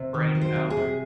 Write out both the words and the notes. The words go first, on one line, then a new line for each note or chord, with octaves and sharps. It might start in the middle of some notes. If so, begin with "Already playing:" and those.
brain power.
Already playing: C3
D#3
F#3
C5
C3
G#4
C3